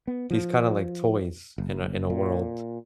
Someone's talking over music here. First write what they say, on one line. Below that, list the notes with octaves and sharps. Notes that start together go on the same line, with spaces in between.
these kinda, like, toys in a in a world,
B3
F3
F#1
A#2